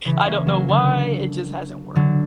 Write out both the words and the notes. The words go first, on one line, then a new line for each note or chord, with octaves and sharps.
I don't know why, it just hasn't worked.
C#3 E3
A#3 C#4
F#3 A#3
D3 F#3
D3 F#3